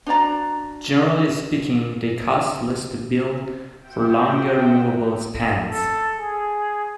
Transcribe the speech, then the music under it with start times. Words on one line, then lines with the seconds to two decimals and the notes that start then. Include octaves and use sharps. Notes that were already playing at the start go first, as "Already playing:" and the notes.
Generally speaking they cost less to build for longer moveable spans.
0.06 D4 F#4 D5 A#5
3.87 F#4 C5 E5 F#5 G5
5.69 A4
6.18 G#4